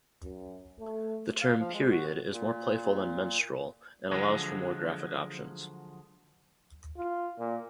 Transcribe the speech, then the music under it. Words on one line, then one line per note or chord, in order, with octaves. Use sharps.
The term "period" is more playful than "menstrual," and allows for more graphic options.
F#2
A3
F5
F3
G#3
F#4
A#2
D3 F3 F#3 G#3
F4
A#2